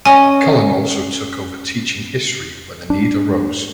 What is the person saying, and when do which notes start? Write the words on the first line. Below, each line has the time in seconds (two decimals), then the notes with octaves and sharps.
Cullen also took over teaching history when the need arose.
0.05 C#4 D#5 G#5
2.90 D4